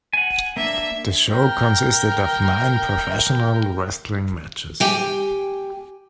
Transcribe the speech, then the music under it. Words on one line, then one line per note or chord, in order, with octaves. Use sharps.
The show consisted of nine professional wrestling matches.
F#5 G#5
A#3 D4 E5
A#4 G5
G4 G5 G#5